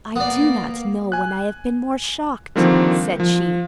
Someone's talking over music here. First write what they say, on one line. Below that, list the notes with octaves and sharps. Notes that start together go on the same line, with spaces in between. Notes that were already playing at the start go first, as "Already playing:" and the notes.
"I do not know when I have been more shocked," said she.
A#3 B3 D5
G#5 F#6
D3 D#3 F3 G3 A#3 C4
F3